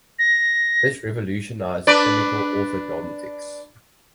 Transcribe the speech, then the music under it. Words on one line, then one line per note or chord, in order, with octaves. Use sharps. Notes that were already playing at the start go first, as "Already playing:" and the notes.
This revolutionized clinical orthodontics.
A#6
D4 B4 D5